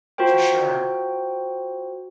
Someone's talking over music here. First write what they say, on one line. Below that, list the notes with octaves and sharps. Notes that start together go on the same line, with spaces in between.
For sure.
F4 F#4 A#4 C5 G5